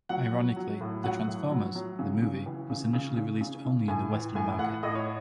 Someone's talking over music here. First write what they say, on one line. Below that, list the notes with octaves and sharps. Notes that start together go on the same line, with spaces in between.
Ironically, "The Transformers: The Movie" was initially released only in the Western market.
F#3 F#5
F#3
F#3
A2
F#3 F#5
A2
F#3
F#3
C#3
C#3
E3
C#3
C#3
C#3
C#3
C#3
A2 G#5
E3
A2 G#5
A2 F#5
A2 D#5
C#5